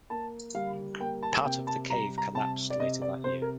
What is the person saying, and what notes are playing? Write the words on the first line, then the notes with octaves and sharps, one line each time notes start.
Part of the cave collapsed later that year.
A#3 A5
G3 F5
A#3 G5
A5
C3 G5
A5
G3 A#5
A#5
C3 A5
D5
C3 D#5
D5
C3 C5
A#4